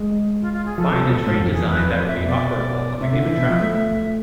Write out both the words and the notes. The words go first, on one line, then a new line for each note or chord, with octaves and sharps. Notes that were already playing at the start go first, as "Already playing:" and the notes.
Find a train design that would be operable on the given track.
Already playing: G#3
F4
F4
G#4
F3 A4
C3
B2
A2
G#2
F2
E2 G#4
E2
B4
F2
F2 C5
D5
E5
B2 D5
C3 E5
D3
E3
B2
F3
A3